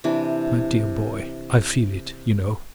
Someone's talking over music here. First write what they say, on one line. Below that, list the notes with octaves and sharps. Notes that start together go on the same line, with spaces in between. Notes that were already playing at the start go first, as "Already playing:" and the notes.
My dear boy, I feel it, you know.
C3 E3 D4